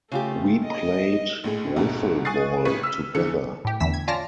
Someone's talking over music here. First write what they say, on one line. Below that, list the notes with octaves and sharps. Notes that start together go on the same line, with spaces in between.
We played Wiffle ball together.
C#3 A3 F4 G4
D#5
A#1 A2 G#4
D2 G#2 B2 D3
G#5 C#6 D#6 F#6 A6 C7
A1 B4 C#6 B6 D#7
E6 F6 B6
E2 D3 E3 F3 C#7
A2 G4
E2 D3 E3 E6 B6
G#6
C#4 F4 D5 A5 F6 A#6